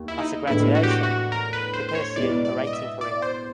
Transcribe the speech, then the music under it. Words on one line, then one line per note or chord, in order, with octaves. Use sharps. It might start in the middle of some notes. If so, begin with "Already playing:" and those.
After graduation, he pursued a writing career.
Already playing: D#2
E4
D#4
A2 E3 G#3 B3 D4 E4
F#4
G4
F#4
F#4
A#4
B4
C5
C5
C#5
B2 G#3 B3 E4 D5
D5
D#5
E5
D5
C5